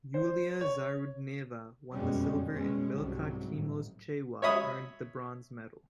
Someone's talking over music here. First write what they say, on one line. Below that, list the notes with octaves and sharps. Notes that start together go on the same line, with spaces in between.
Yuliya Zarudneva won the silver and Milcah Chemos Cheywa earned the bronze medal.
C5
C#5
F1 F#2 B2 G3 G#3 C#4
B2 G#3 C#4
C2 G#2 C3 F#3 G3
A1
C#5 D#5 E5 B5 D#6